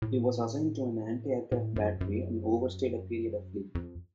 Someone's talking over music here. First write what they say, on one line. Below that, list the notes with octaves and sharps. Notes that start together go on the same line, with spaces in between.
He was assigned to an anti-aircraft battery and overstayed a period of leave.
A2
A2
F#2
F#2
F2